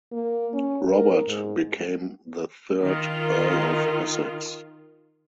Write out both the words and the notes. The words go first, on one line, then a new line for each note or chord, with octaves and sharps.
Robert became the third Earl of Essex.
A#3
C#4
A#4
G#2
D#3 F4